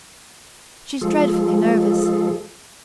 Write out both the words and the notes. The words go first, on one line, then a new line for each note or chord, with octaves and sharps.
She's dreadfully nervous.
F3 G#3 F4 G#4 A4